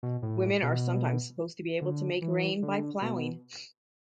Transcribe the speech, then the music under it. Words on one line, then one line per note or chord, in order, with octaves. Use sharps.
Women are sometimes supposed to be able to make rain by ploughing.
B2
A2
B2
D3
E3
D3
B2